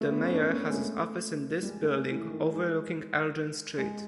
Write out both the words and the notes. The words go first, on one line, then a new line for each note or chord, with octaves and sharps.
The mayor has his office in this building, overlooking Elgin Street.
A3
B3
C#4
D4
C#4
A#3
B3
A#3
G#3
A3
G3
G#3
A3
G#3
E3
D#3
G#3
G#3